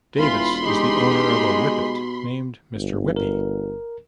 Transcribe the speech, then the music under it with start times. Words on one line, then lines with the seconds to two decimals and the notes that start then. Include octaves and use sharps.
Davis is the owner of a whippet named Mr. Whippy.
0.18 E1 E3 F4 B5 C6
0.64 G#3 D#4 G4
1.30 B2
2.76 G1
3.16 A#4